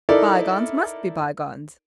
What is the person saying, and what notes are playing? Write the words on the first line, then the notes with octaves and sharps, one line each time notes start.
Bygones must be bygones.
D#4 E4 A4 A#4 D5